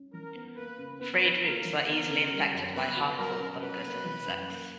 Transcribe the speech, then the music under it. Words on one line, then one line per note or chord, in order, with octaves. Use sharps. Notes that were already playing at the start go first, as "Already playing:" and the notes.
Frayed roots are easily infected by harmful fungus and insects.
Already playing: C#4
E3 A#4
B3
A#3 B4
C#3
B3 B4
D4
A#3 A#4
E3
B3 A#4
C#3
G3
F#2
B3 B4
F#4
F#3 A#4
C#4
F#3 B4
A#3
E3
F#2
A#3